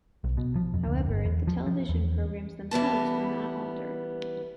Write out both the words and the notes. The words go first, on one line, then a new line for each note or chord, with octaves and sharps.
However, the television programs themselves were not altered.
B1
B2
F3
F2
D2
G1
E2
F3
F3
E2
E3 G3 B3 A5